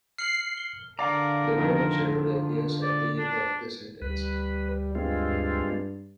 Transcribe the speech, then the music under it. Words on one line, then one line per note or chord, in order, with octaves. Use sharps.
The verb generally appears at the end of the sentence.
F6 C7 C#7 F#7
G7
D3 A#4 D5 F5 A#5
F2 D#3 F4
D5
D4
D2 G3 B4
G2 G#3 C4 F4